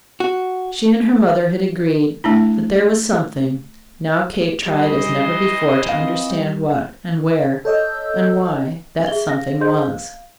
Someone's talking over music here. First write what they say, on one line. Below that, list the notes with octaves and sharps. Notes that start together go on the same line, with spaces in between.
She and her mother had agreed that there was "something." Now Kate tried as never before to understand what, and where, and why, that "something" was.
F#4
A3 D4 E4
E3 G3 C5 D#5
C4 F5
G3
A4 C#5 D#5 E6 G6
G#4 E5 G7
F5 A#6
G#4 C5 D#5 C6 G6
F5